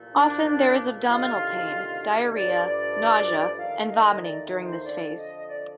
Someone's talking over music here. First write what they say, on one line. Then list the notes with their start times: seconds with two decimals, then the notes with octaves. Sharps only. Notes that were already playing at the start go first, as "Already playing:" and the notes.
Often there is abdominal pain, diarrhea, nausea and vomiting during this phase.
Already playing: C2 A#2 F3 A3
0.15 D4
0.45 D4
1.08 D2 C3 D#3 F4
2.34 G2 F3 A3 D5
2.65 D5
3.60 D#2 D#3 A3 F5
3.92 D#5
4.22 D5
4.64 C5
4.85 F2 D3 F3 D5
5.16 D#5
5.48 D5